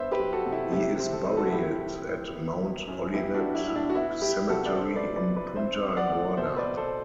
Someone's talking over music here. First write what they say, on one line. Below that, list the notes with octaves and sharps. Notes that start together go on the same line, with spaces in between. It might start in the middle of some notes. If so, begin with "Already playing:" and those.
He is buried at Mount Olivet Cemetery in Punta Gorda.
Already playing: G2 B3 C5 E5
G4 B4
F#3
F#4 A4
C3
E4
C3 E4 G4
C4
A4
C4 B4
F#4 A4
A2 E4 G4
A2
A2
B3
F#3
F#2
B3 E4 G4
D4 F#4
F#3
E4
A2
D4
F#4
B3 E4
G3 E4 G4
C3 F#4 A4
D5
F#3 A4 C5
B4 D5
C3
B4 D5
B3
B4 D5
C4 C5 E5
C4
D5 F#5
A3
B2 C5 E5
B4 D5
B2
A4 C5